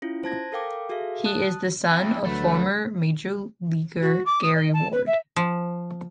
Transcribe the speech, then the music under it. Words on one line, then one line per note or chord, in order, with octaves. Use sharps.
He is the son of former major leaguer Gary Ward.
C#4 E4 F4
C5 A5 G#6 A#6
A4 A#4 F5 G5 D6
F#4 G#4 A4 E5 F5
A5 D#6 F#6
F2 E4
D2 F#3 A3 B4
F#4
D6
D#6
D#5
A5
B4
E5
F3